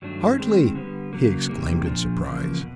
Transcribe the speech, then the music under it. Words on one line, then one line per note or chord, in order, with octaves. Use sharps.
"Hartly!" he exclaimed, in surprise.
G2 D#3 F#3 A3 D4
D#3 G#3 C4
D3 G3 B3
C#3 F#3 A#3
E2 C3 D#3 G3 A#3
A#2 F3 A#3 D4
E2 C#3 F3 A#3
B2